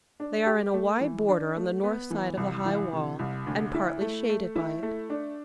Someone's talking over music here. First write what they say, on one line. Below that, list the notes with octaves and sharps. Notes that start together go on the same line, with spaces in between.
They are in a wide border on the north side of the high wall and partly shaded by it.
D4
G4
A3
E3
D4
A3
B3
E3
C2
E3
C3
C2
D2
E4
A3
A3
E4
A3
D4